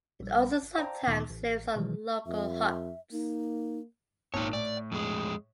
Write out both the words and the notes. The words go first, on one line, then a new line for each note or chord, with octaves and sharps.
It also sometimes lives on local huts.
A#1 G3
G1
C5 D5 F5 G5 A5 A#5
D2 A#2 D#3 B3 D#4 D6
A1
B2 D#3 E3 F#3 G#3
F2 E5
A#3 D#4
G#1 A#2 D#4 C#5
A2 D5
F2 G#3